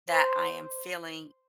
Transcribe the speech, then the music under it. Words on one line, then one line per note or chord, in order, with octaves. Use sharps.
that I am feeling
C5